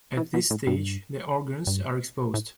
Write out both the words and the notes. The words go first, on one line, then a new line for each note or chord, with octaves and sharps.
At this stage the organs are exposed.
E3
B2
A2
G2
G2
A2